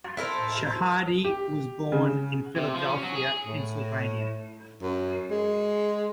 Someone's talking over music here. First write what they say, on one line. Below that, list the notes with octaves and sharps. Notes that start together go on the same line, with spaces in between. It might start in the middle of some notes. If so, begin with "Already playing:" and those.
Shahade was born in Philadelphia, Pennsylvania.
E4 A4 A#4 C5
G4
C#3
C3
F3
C#4
F#3
G#4
A2
F#2
G#3